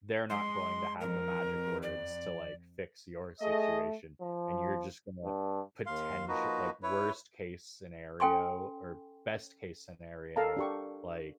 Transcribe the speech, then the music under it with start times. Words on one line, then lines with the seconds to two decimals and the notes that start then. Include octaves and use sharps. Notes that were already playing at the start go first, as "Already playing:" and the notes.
they're not going to have the magic words to, like, fix your situation, and you're just gonna potential like, worst-case scenario or best-case scenario, like,
0.30 G#3 C6
1.01 F2 A#4
1.83 D5
3.41 A3 G#4 D#5
4.21 F3
5.24 G2
5.86 D#2 F5 C6
6.28 F3 A#3 D#4 F#4 B4
6.83 E4 B4 C#5
8.20 C#4 A4 G5 G#5 C6 C#6
10.36 A4 A#4 F5 A5 A#5
10.57 D4 G4 C#6